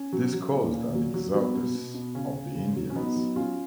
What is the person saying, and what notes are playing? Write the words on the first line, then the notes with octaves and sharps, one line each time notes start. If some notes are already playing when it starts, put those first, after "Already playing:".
This caused an exodus of the Indians.
Already playing: C#4
F#3
F#3
A#2
A#2
F#3
F#3
F#3 B3
B2
B2
B2
C#3 C#4
C#3
C#3
F#3
C#4
F#3 B3 D#4
F#3
F#3 C#4 F4